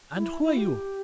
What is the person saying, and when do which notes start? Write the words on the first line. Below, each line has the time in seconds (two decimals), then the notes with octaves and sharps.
"And who are you?"
0.14 E4
0.42 E4
0.57 G4